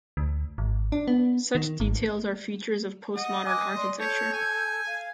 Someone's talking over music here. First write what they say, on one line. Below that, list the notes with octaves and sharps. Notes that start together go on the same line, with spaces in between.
Such details are features of postmodern architecture.
D2
G#1
D4
B3
D#3
G#1
D#5 F#5
D#5 G#5 D6 F#6
D5 C6
A4 C#5 G6
G#5
F5